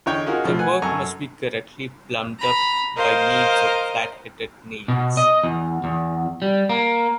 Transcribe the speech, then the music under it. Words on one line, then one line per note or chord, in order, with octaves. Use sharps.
The work must be correctly plumbed up by means of flat-headed nails.
E2 D3 C#5 D#5 G5
C#4 D#4 F4 F#4 G#4 A#4
B2 F3 A3
B4 F#5 G#5
F#2 A4 G#5 A#5 C#6
A#5 B5
A#4 C5 D#5 F5
B2
D#5
E2
E2
G3
A#3